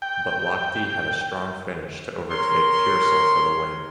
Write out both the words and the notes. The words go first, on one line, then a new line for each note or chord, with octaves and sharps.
But Lochte had a strong finish to over-take Peirsol for the win.
G5
A#4 C#5 C6